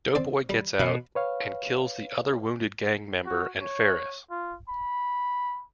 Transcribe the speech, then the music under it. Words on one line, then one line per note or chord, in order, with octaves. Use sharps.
Doughboy gets out and kills the other wounded gang member and Ferris.
C4 D5
G3
B2 F5 B5
B4 C#5 F5
F#4
C#5
F4
B5